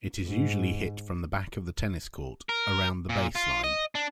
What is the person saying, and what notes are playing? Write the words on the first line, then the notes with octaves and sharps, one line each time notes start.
It is usually hit from the back of the tennis court, around the "baseline".
G#2
A#4
A#2
F4
D#5
D4